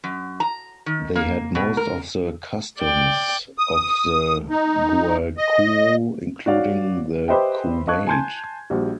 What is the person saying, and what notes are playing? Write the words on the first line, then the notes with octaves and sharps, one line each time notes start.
They had most of the customs of the Guaycuru, including the couvade.
F#2
A#5
D#3
A#3
B2
A#4
D5 G5
D#6
D#4
D#5
F#4 C#5 D5 F5
G4 B4 C5 D#5 E5 G5
D#5 F5 A5 C#6 F#6 G#6
G#5 A5 C6 G6 G#6
A#1 G3 F#4